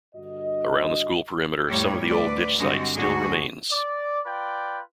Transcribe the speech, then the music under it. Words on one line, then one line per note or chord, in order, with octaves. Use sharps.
Around the school perimeter some of the old ditch site still remains.
G2 D3 F#4 D#5
F2 A2 G3 A#3 C#5
D2 B4 D5
G2 D3 G#3 C4 F#4 D#5
D2 D3 F#4 G#4
D5
F4 B4 D5 G5